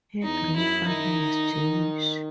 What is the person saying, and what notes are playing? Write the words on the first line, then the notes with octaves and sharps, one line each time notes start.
Her grandfather was Jewish.
E2 D#4
F#2 E4
D#3 D#4
D#3